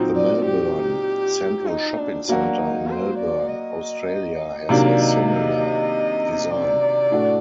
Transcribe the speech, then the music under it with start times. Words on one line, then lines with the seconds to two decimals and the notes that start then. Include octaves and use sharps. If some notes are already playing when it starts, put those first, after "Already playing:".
The Melbourne Central Shopping Centre in Melbourne, Australia has a similar design.
Already playing: A#2 F#3 C4 D#4
0.16 D5
0.46 G4
1.67 D#4
1.98 D4
2.28 F#3 A#3 D4 F#4
2.59 D#4
2.88 C5
3.18 D5
3.48 D#5
4.69 C3 D#3 F#3 A#3 D4 D5
5.00 D#5
5.30 D#5
6.51 D5
7.12 A2 A3 D4 F#4